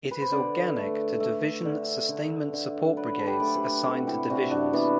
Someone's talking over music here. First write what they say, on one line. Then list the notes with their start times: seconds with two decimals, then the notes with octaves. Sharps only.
It is organic to division sustainment support brigades assigned to divisions.
0.11 B4
0.21 C5
0.32 D3 B4 D5
0.76 A3
1.20 A3
1.65 D3
2.09 D3
2.53 D3
2.97 F#3 B4 D5
3.19 A4
3.26 G4 B4
3.40 A3 D5
3.47 C5
3.55 G4 B4
3.85 C3 F#4 A4
4.07 E4 G4
4.30 C3 D4 F#4
4.51 D4 F#4
4.73 E3 B3 D4